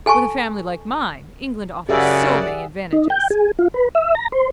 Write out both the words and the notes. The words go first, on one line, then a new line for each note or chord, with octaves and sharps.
With a family like mine, England offers so many advantages.
A4 G#5 A5 C#6
F#2 C#3 G4 G#4 D5 E5 F#5
D#4
G5
G#4
F4
B4
E5
A#5
C5